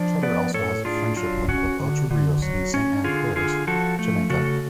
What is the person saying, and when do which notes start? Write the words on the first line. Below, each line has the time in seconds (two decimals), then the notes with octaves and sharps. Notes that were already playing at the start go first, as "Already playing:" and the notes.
Cheddar also has a friendship link with Ocho Rios in Saint Ann Parish, Jamaica.
Already playing: F3 D4
0.23 B3 B4 D5
0.54 A2 A4 C#5
0.85 D4 F4 G#4
1.17 F#3 F4
1.49 C#4 F#4
1.80 D3
2.11 D3
2.42 F#3
2.74 C#4
3.04 D3 F4 G#4
3.36 D3 F4 G#4
3.67 F3 F#4 A4
3.99 A3
4.30 C#3 F#4 A4